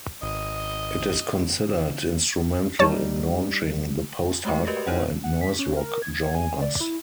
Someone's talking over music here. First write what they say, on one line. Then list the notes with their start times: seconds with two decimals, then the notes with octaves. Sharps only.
It is considered instrumental in launching the post-hardcore and noise rock genres.
0.22 G#1 D#5
2.79 G3 D#4 C#5 A5
4.45 G#3 A3 F#4 C#5
4.67 F#4 G4 A#4 B4 D5 D#5
4.87 D#4 E4 C5 C#5 D#5 F#5
5.24 F#5
5.41 B6
5.59 C#4
5.77 A#4
6.02 G#6
6.35 G#5
6.62 D5
6.80 E4